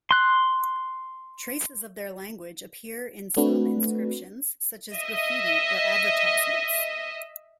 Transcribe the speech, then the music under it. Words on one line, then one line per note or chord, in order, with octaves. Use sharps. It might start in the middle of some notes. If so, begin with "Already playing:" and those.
Traces of their language appear in some inscriptions, such as graffiti or advertisements.
C6 F#6
A3 C4 D4 F#4 B4
D#5 E5